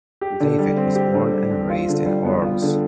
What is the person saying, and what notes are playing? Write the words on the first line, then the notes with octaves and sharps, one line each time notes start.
David was born and raised in Arles.
G4
D3
G3
C4
G4
D3
G3
C4
F4
D3
G3
B3
F4
D3